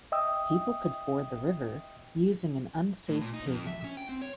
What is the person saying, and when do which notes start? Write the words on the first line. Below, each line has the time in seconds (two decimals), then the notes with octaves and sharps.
People could ford the river using an unsafe paving.
0.12 D#5 E5 G5 D#6 E6
3.08 A2
3.21 A#2
3.34 D#4
3.47 F2
3.67 E5
3.84 C#4
3.97 G5
4.09 C4
4.22 C#5